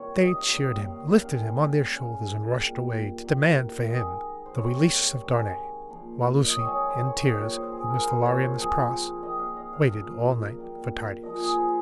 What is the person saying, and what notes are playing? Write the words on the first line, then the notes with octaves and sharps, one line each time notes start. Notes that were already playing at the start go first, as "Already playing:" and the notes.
They cheered him, lifted him on their shoulders and rushed away to demand for him the release of Darnay, while Lucie, in tears, with Mr. Lorry and Miss Pross, waited all night for tidings.
Already playing: C3 D#3 G3 A#3 F4 C#5
D#5
F5
D#3 G3 A#3 D#5
C#3 G3 A#3 F5
C#3 G#3
A#2 G3 A#3
D#3 A#3
D#3 G#3 D#5
C5
C3 G3 A#3 C#5
D#3 G#3
A#2 F3 A#3
D#5
D#3 G#3 C#5
D#5
C#5
C5
C#5
A#2 G3 A#3 D#5
C#5
C5
G#4
A#2 G#3 A#4
C5
C#5
C5
C3 F3 A#3 G#4
D#3 A#3 D#5
F5
D#5
F5
C#3 F3 A#3
A#2 G3 A#3
A#2 F3 G#3 D#5
G#4
C5